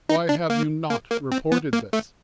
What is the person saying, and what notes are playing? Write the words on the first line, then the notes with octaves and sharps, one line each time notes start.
Why have you not reported this?
D#4
D4
A#3
A#3
A#3
C4
B3
A#3
A3